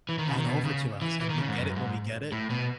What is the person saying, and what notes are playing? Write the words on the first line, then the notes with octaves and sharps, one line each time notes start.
on over to us, and we'd get it when we get it.
E3
D#3
C#3
D#3
B2
C#3
E3
E3
D#3
C#3
G#2
F#2
G#2
A2
B2